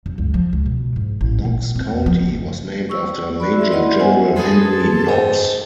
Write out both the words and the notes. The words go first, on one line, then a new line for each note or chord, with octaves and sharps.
Knox County was named after Major General Henry Knox.
F#2
C#2
F3
C#2
B2
G#2
A1
A#2
C4
E2
F3
F#1
C#6 E6
F#4 D5 B5
E5 C6
E4 D5 D#5 F#5 C6
B3 C5 E5 F#5 G#5
F#2 B3 G#4 A4 C6
G#2